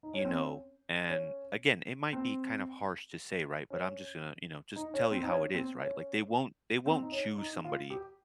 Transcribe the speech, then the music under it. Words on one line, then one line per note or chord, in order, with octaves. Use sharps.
you know, and again, it might be kind of harsh to say, right? But I'm just gonna, you know, just tell you how it is, right? Like, they won't they won't choose somebody
D#4
C#4
C4
C#4
C#4
C4
C#4
D#4
C#4
C4
D#4
C#4
C4
C#4
C4
D#4
C#4
D#4
F4
G4